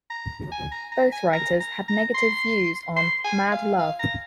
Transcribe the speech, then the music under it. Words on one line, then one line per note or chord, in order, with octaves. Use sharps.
Both writers had negative views on "Mad Love".
A#5
G#5
A#5
A#5
G#5
A#5
A#5
A#5
C6
C6
G#5
F5
F5
A#5